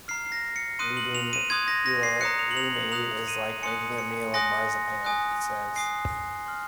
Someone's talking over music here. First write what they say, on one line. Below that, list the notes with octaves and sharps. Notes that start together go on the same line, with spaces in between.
"Reading 'Ulalume' is like making a meal of marzipan", he says.
A#5 F6 C7
C7
A#6
C#7
C6 D#6 F#6 D#7
F#7
F7
D#7
C6 D#6 F#6 G#6
A#6
A#6
C7
A#5 D#6 F#6 C#7
F7
F#7
F7
F#7
A#5 D#6 F#6 F7
D#7
G#5 C6 D#6 F#6 C#7
C#7
G#5 C6 D#6 F#6 A#6
G#5 D#6 F#6
G#5 D#6 F#6 C7
C6 F6